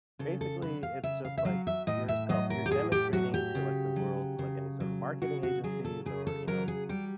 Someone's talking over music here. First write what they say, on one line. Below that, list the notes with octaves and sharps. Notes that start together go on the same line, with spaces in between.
Basically, it's just, like, yourself you're demonstrating to, like, the world, to, like, any sort of marketing agencies, or, you know,
C#3 A4
A4
F#3 B4
F5
C#3 E5
F5
E5
F#3 F5
E5
A2 D#5
E5
F#3 D#5
A#4
G4
A2 G#4
G4
F#3 F#4
G4
C#3
F#3
C#3
F#3
C#3 F#4
F#4
F#3 G#4
A4
C#3 G#4
A4
F#3 A#4
G#4
G3 G4